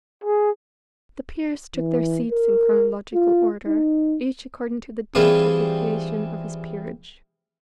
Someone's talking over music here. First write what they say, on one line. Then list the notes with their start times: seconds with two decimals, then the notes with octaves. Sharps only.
The peers took their seats in chronological order, each according to the date of the creation of his peerage.
0.24 G#4
1.77 E3
2.31 A#4
3.13 F4
3.67 D#4
5.15 E3 G3 C4 E4 F4 G#4